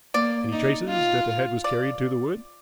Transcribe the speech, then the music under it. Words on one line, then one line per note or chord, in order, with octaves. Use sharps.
"Any traces that the head was carried to the wood?"
A#3 D5
D#4
F4
D5